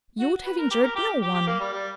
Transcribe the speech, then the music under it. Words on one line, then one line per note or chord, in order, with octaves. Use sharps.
You would have injured no one.'
F#4
B4
A#4
G4
A#4
G4
G4
G4
A#3
G3
G3